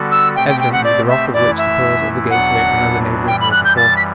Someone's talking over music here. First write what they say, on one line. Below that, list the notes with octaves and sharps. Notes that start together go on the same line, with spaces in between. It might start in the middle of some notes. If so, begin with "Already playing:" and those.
Evidently the rock of which the pillars of the Gateway and other neighbouring hills are formed.
Already playing: D3 G3 B3 F#4 A4
E6
B2 A3 C4 G4 G5
G5
G5
F#5
D5
E5
F#2 E3 A3 E4 D5
E5
E2 B2 F#3 B3 D4 F#5
F#2 E3 G3 G5
B5
F#6
G6
A6
B6